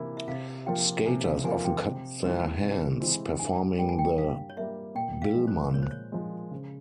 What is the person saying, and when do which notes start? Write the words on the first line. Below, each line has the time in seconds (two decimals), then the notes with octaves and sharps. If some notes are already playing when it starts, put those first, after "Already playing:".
Skaters often cut their hands performing the Biellmann.
Already playing: C3 E3 A#3 E4
0.17 E5
0.28 C3 F5
0.66 F3 A#3 F4 G5
1.06 C3 G#5
1.25 F5
1.44 F3 A#3 F4 G#5
1.64 G5
1.84 C3
2.22 E3 G#3 C4
2.61 C3
3.00 E3 G#3 C4
3.39 G2 G#5
3.78 G3 A#3 G5
3.89 G#5
3.99 G5
4.17 G2 F5
4.50 C#5
4.57 G3 A#3 E5
4.95 A#2 G5
5.22 F5
5.35 F3 G#3
5.47 C5
5.74 A#2 C#5
5.82 C5
5.91 C#5
6.12 F3 G#3
6.51 C#3